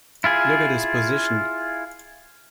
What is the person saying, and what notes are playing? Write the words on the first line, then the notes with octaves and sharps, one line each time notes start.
Look at his position.
E4 F4 G#4